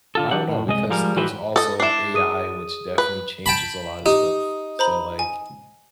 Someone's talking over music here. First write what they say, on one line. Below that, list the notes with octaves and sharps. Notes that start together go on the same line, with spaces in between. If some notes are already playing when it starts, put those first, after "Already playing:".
I don't know, because there's also AI, which definitely changes a lot of stuff. So, like,
D3 F4 A4
F#3 D4 G4 F#5
A2
C2 G#3 D#5
F3 G3 G#3 A#4
E3 F#3 F#4 G4 B4 C5
A4 D#5
D4 E4 C7 E7
G#4 D#6 D#7
B4
G5 A5 B5
D#4 G4
C5 A#5 B5
G#5